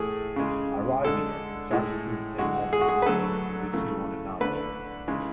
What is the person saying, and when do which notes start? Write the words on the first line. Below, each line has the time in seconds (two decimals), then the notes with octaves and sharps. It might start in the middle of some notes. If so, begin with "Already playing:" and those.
Arriving at exactly the same moment, they see one another.
Already playing: A2 E3 A3 G#4
0.36 C#3 G#3
1.04 D3 G#3 A4
1.71 A2 G#3
2.38 D3 G#3 F#4
2.73 G#4
2.81 F#4
2.89 G#4
3.02 B4
3.06 D3 F#3 A3 A4
3.73 C#3 E3 A3
4.40 D3 A3 B4
5.08 C#3 E3 G#3